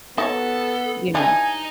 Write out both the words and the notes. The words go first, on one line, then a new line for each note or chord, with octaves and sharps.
you know,
B3 D#4 F#4 A4 C#5
E3 G3 D4 D#4 D#5 G#5